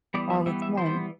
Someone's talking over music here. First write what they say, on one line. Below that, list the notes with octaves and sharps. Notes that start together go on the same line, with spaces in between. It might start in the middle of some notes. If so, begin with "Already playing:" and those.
All the time.
E3 G3 B3 D5
E5
E3 G3 B3 E5
E5
E3 G3 B3 C5